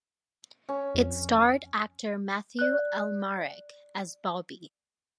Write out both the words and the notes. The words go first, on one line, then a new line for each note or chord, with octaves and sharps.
It starred actor Mathieu Amalric as Bauby.
C#4
F2
D5 F#6